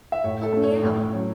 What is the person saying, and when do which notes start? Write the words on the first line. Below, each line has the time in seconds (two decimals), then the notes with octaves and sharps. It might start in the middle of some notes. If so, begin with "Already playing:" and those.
Help me out!
0.12 E5
0.24 A2 C#5
0.43 A4
0.53 A3 C#4
0.64 C#5
0.83 A2
1.13 F#3 C#4